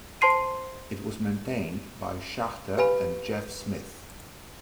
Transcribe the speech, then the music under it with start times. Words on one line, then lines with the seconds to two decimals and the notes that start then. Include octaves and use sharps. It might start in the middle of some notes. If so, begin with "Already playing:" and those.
It was maintained by Schachter and Jeff Smith.
0.21 C5 A5 C6 C7 D#7
2.77 G4 B4 F5 G#5 B5